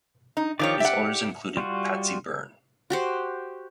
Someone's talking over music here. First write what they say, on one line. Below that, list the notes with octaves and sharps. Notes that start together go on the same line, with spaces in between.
His owners included Patsy Byrne.
D#4
D#3 F3 G4 C#5 D5
E5 F#5
G3 F4 F#4
F#4 G4 C5